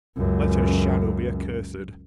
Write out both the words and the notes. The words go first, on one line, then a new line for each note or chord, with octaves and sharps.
Let her shadow be accursed.
C#2 F#2